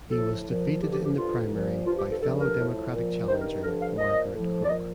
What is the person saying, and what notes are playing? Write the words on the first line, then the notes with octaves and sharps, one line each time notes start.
He was defeated in the primary by fellow Democratic challenger Margaret Croke.
A2 F3 A4
A#2 F3
G2 D3 F3 G4
G4
G4
G2 D3 F3 F4
A#2 F3
G2 F3 F4
G4
A4
G2 D3 F3 A4
A#4
A2 F3
A#2 F3
G2 D#3 C5
A#4
G2 D3 F3 A#4
F5
A#2 F3 D#5
A2 F3
D5
A#2 F3 D#5